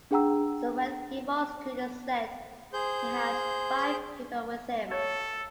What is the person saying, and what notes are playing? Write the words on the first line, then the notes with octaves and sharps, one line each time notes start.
So when he walks to the set he has five people with him.
D4 G#4 F#5 G5 A#5 E6
G#4 C5 G6
A4 C#5